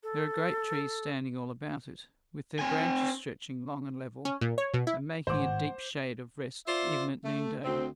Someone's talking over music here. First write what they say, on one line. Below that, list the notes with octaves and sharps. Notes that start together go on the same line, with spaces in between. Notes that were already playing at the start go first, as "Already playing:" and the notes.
There are great trees standing all about it, with their branches stretching long and level, and making a deep shade of rest even at noonday.
A4
C4 G#5
C#4
A#2
C#5
B2
E4
G#1 A2 F#4 G#4 C5 F#5 C6 D6
F4 C5 D5 E5
A3
D2 C4